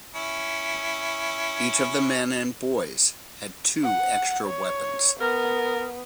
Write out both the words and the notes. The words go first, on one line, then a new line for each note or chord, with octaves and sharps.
Each of the men and boys had two extra weapons.
C#4 E4
F#5
C#5
B3 A#4